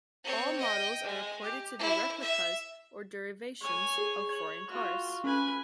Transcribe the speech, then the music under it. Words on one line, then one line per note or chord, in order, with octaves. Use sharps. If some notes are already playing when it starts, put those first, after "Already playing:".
All models are reported to be replicas or derivations of foreign cars.
C4 C#5
D#5 G5
G#3
G4
E4
E5
C#5 G#5
G#4
C#5 G#6 F#7
F4 F#4 C#6
C#4 B4 G#5